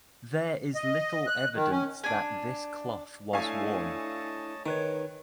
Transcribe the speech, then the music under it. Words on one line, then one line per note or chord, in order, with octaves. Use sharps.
There is little evidence that this cloth was worn.
D#5
F#6
D#3
C#4
D4 G#5
A3 D4 E4 C#5 D#5 F5 G#5 A5
D#3 D#4 B4 C#5